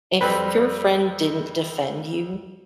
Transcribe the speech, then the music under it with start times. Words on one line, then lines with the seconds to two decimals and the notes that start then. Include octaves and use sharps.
If your friend didn't defend you
0.21 F2 G3 C4 B4